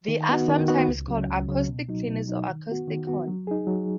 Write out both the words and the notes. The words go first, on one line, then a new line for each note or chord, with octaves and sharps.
They are sometimes called acoustic cleaners or acoustic horns.
D#3
B3 D#4 F#4
D#3
B3 D#4 F#4
C#2
C#3 F#3 C#4
C#2
C#3 F#3 C#4
B2
F#3 D#4
B2
F#3 D#4
D#3
B3 F#4
D#3
B3 F#4
F#3
D#4 G#4
F#3